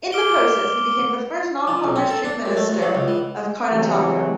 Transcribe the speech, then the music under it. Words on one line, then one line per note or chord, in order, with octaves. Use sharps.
In the process, he became the first non-Congress chief minister of Karnataka.
D6 F6 D7 G7
F3
B1
C4
A4
D4
F#2
A3
E2
F#3
C#2
E3
C#3 E3 F#3 G#3 C4 G4